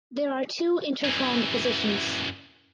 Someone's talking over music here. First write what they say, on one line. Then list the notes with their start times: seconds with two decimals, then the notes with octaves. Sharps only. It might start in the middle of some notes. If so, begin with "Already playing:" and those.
There are two intertwined positions.
1.05 F#2 E3